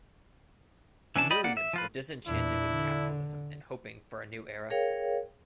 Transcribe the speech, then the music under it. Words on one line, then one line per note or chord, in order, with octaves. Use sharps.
Millions were disenchanted with capitalism and hoping for a new era.
E3 C#4 D4 A5
G4 D5 D#5 B5
A#3 D5 F#5
E5
F3 F4 B4
E2 A#2 D4 E4
D3
G#4 A#4 C#5 F5 G5